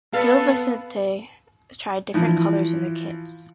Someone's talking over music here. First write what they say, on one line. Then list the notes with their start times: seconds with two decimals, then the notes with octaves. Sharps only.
Gil Vicente tried different colours in their kits.
0.13 B3 A4 B4 F5
2.14 E3 F3